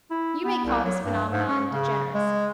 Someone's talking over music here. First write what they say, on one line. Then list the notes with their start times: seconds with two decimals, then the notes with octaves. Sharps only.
You may call this phenomenon degeneracy.
0.11 E4
0.45 B3
0.66 C2
0.84 F#3
1.05 G2
1.32 G#2
1.48 C#4
1.73 C#3
2.15 G#3